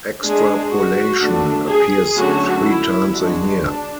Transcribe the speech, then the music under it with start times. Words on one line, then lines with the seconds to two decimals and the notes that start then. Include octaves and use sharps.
"Extrapolation" appears three times a year.
0.22 G#3 D4 G#4
0.70 F#4
1.19 D3 A3 D4
1.68 G#4
2.15 D3 F#3 A3 C#4 F#4
2.64 E4
3.12 G#3 D4 F#4
3.60 D4